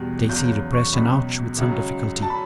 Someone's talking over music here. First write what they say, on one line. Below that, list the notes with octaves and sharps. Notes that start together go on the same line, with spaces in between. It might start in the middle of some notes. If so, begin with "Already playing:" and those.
Stacy repressed an "ouch" with some difficulty.
Already playing: E2 B2 G3
E2 C#3 F#3 G6
C#6
C#2 B2 F#3 B5
C#2 C#3 F#3
F#3 A5
B5